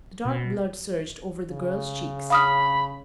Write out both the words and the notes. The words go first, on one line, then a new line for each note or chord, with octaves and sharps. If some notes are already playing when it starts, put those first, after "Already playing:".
The dark blood surged over the girl's cheeks.
B2
C#3
F5 B5 D#6 F6